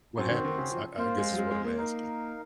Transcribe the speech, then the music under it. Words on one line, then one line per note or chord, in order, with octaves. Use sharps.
What happens, I I guess is what I'm asking.
F#2 C4 F#4 C5
D#3
D#3
C#3
F3
A#3 F4 C5 F5
G#3
F#3
G#3
G#3
A#3
D#4 A#4 F5